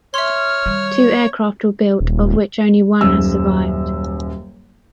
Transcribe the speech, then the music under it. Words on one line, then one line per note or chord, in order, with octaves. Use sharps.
Two aircraft were built, of which only one has survived.
C#5 E5 C6 F6
D#3 G3
D#1
D#1 F#2 E6